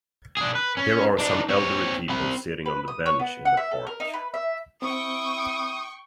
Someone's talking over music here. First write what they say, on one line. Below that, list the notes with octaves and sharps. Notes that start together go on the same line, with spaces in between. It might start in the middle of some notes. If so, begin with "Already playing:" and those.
Here are some elderly people sitting on the bench in the park.
D4 G#4
B4
C#4
D4 D#4
C4 C#5
C4 B5
B4
D#6
C#5
B3
F#5
E5
A4
A#4
D#4
B4
E5
C4 E4 G5 C#6 D#6